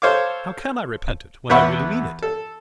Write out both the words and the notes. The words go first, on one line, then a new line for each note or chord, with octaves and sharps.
How can I repent it when I really mean it?
A4 C5 C#5 F5 D6
E2 B3 E5 F#5 B5 C#6
A4